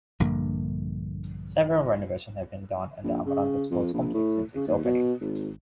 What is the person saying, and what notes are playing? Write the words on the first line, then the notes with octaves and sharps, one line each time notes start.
Several renovations have been done on the Amoranto Sports Complex since its opening.
A#1 G2 D3 A#3
A#1
C#3
F2
A#1
A2
C#3
D#2
B2
G#1